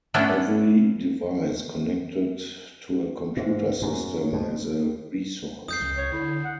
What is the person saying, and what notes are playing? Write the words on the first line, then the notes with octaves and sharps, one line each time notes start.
Every device connected to a computer system is a resource.
A3 B3 C#4 D4 E4
G#2
F#2
F2
F2 D#6 G6 C7
C#2 G6
C#5
D3 E4
F#5